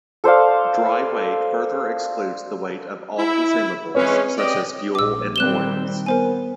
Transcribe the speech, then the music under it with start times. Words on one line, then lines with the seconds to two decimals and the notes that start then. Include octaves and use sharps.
Dry weight further excludes the weight of all consumables, such as fuel and oils.
0.24 A4 C5 D5 F5
3.19 E4
3.95 E3 G#3 C4 C#4 B4 C#5
4.38 G4 D5 D#5
4.95 A#1 D6 E6
5.36 D#3 G3 C4 F#6 E7 G7
6.06 B3 A#4 C5 G#5